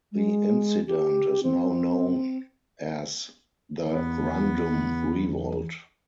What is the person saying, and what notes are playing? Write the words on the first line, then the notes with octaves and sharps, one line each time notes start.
The incident is now known as the Rundum Revolt.
G#3
G4
C4
E2 B3